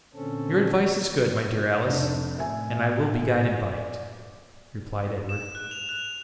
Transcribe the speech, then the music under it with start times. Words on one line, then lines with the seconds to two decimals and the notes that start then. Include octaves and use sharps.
"Your advice is good, my dear Alice, and I will be guided by it," replied Edward.
0.14 A#2 D3 C4 C#4 A4
1.86 F1 A2 D4
2.38 E5 G#5
3.65 D5
5.29 E7
5.55 F#6
5.71 F7
5.89 F#6